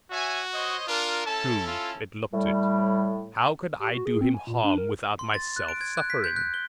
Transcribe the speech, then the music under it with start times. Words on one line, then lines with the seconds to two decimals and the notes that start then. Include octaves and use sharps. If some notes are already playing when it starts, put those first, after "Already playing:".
True, it looked it; how could I do him harm without myself suffering?
0.11 F#4 C#5 E5 G#5
0.54 C5 C#5 D#5
0.88 D4 F4 A#4
1.26 C#4 E4 A4 A5
1.67 F4
2.33 A2 G3
3.80 G4
3.92 F#4
4.06 G#4
4.21 C4
4.34 G#5
4.47 A#2
4.64 D4
4.78 A#4
5.19 C6
5.34 A6
5.56 F#6
5.68 D7
5.81 G#6
5.97 F#6
6.10 B6
6.24 G6
6.36 F#6
6.54 G7